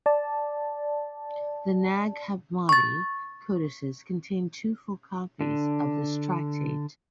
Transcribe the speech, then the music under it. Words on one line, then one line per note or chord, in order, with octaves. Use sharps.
The Nag Hammadi codices contain two full copies of this tractate.
D5 A5
C#6 A6
D3 D4